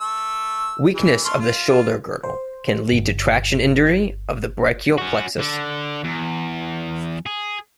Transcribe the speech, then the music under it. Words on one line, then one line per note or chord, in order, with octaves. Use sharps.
Weakness of the shoulder girdle can lead to traction injury of the brachial plexus.
A3 E6
E3
A3 C6 F6
F4
C5
G1
C#4 F#4
D3
E2
G#4